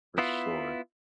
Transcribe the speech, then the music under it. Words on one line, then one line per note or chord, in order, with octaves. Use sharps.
For sure.
B3 E4 F4